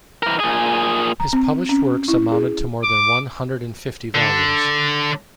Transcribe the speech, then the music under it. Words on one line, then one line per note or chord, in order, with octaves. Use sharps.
His published works amounted to more than one hundred and fifty volumes.
E3 A#4
A#2 G#4
A#5
C4
C#4
E4
G#4
D6
D3